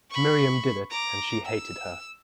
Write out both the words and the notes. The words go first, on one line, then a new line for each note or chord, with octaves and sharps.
Miriam did it, and she hated her.
B5 C#6
A#5 D6
E6